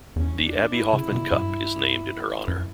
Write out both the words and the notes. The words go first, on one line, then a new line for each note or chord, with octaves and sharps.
The Abby Hoffman Cup is named in her honour.
E2 C#4
D4
E4
C#3
B2
G2
F#2